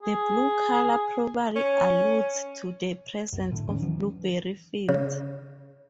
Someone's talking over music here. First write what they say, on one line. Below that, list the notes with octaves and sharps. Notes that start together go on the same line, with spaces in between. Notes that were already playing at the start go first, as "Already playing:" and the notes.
The blue color probably alludes to the presence of blueberry fields.
G#4
C#4
C2 F#2
A#1 A2 D3
D#2 D#3 C#4
E3 F#3
C#3